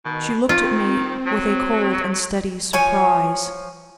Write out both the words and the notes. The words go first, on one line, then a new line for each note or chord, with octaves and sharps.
She looked at me with a cold and steady surprise.
B2 D#3
D#3 C4 F4
F#3
F3 C#5 G#5